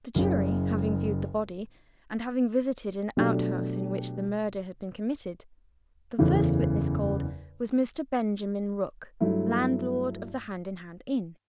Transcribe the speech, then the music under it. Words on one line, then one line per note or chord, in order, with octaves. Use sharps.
The jury having viewed the body, and having visited an outhouse in which the murder had been committed, the first witness called was Mr. Benjamin Rook, landlord of the Hand-in-Hand inn.
F#1 F#2 C#3
B2 F#3 A3 D4 G4
F#1 E2 C#3 E3 A3
G2 F#3 A3 E4